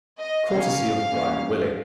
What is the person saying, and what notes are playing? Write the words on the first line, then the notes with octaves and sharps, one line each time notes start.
Courtesy of Bryan Willy.
D#5
B2 F#3 A#3 C#4 F5
A#2 G3 A#3 C#4